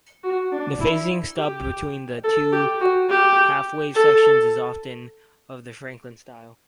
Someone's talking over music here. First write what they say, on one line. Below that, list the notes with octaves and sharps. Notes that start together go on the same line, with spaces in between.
The phasing stub between the two half-wave sections is often of the Franklin style.
F#4
D4
E4
G4
A4
G4
F#4
G4
A4